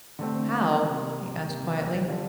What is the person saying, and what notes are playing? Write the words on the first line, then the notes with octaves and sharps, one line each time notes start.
"How?" he asked quietly.
D3 A3 C4
C3 G3 A#3
C3 G3 A#3
D3 G3 D4 F4